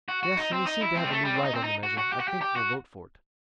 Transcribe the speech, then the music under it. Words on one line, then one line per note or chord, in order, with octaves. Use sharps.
"Yes, and he seemed to have a new light on the measure: I think will vote for it."
F#4
F#4
D#4
C4
D#4
E4
C4
G3
A3
G3
C4
D#4
C4
D#4
F#4
F#4
G4
F#4
G4
G4
F#4